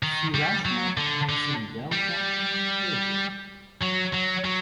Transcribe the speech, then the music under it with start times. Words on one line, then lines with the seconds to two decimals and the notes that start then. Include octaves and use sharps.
See Rational pricing delta hedging.
0.03 D#3
0.34 G3
0.65 F#3
0.97 D3
1.29 D3
1.92 G3
3.81 F#3
4.13 F#3
4.44 F#3